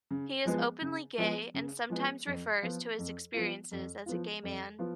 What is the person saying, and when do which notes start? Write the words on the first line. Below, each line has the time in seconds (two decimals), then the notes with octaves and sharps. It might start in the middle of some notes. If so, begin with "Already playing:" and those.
He is openly gay and sometimes refers to his experiences as a gay man.
0.11 C#3
0.45 F3 G#3 B3
0.82 C#3
1.18 F3 G#3 B3
1.54 C#3
1.90 F3 G#3 B3
2.26 F2
2.63 F3 B3 F4
2.98 F2
3.34 F3 B3 F4
3.71 F2
4.06 F3 B3 F4
4.43 F2
4.79 F3 B3 F4